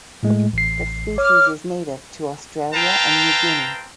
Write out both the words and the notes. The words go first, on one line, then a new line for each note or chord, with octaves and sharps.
The species is native to Australia and New Guinea.
A2 G#3 A3
A1 C7
C#5 D6 F6
C4 B4 F5 G5 A5 A#5